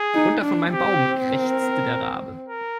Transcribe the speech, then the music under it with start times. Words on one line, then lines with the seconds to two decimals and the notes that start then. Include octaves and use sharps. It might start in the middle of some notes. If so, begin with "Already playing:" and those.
"Runter von meinem Baum", krächzte der Rabe.
Already playing: G#4
0.14 D#4
0.43 D4
0.73 C4 G4
1.31 A#4
2.49 A#4